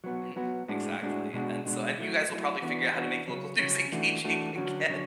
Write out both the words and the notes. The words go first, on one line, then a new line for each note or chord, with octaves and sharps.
Mhm, exactly, and so and you guys will probably figure out how to make local news engaging again.
F#3 B3 F#4
F#3 B3 F#4
A2 G#3 D4 F#4
A2 G#3 D4 F#4
B2 G#3 D4 F#4
B2 G#3 D4 F#4
F#3 A3 E4
F#3 A3 E4
E3 B3 D4 F#4
E3 B3 D4 F#4
C#3 F#3 C#4
C#3 F#3 C#4
E3 A3 D4 F#4
E3 A3 D4 F#4
D3 F#3 C#4 F#4
D3 F#3 C#4